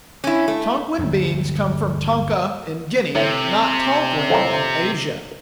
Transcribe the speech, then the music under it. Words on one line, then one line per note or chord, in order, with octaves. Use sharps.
Tonquin beans come from Tonka, in Guinea, not Tonquin, in Asia.
C#4 E4
A3
G1 D#2
A2 C3
F2 A2 A#4